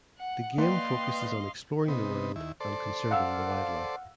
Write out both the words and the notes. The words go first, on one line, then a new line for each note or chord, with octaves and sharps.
The game focuses on exploring the world and conserving the wildlife.
F#5
A#3 B4 D5 D#5 F5 G5 C6
C3 B3 D#4
D#2 E4
A4 C5 D5
F5 F#5 E6